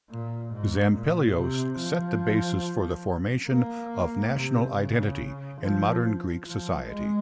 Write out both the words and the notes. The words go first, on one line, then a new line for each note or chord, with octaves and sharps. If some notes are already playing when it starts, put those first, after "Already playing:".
Zampelios set the basis for the formation of national identity in modern Greek society.
A#2
G#2
A#2
C3
F3
A#3
C3
C#3
F3
F3
G#3